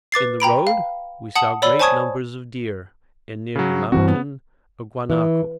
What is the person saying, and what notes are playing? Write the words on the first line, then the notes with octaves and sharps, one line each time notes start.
In the road we saw great numbers of deer, and near the mountain a guanaco.
B4 D6 A6 C7
G5 A#5 B5 D7
F5
F#5 A5 D#6 C#7 F#7
C#5 D5 B5 E6 G7
C5 G#5 A5 C#6 D#6 G#6
C#3 F#3
G2 E3 C4 F#4
B3
E3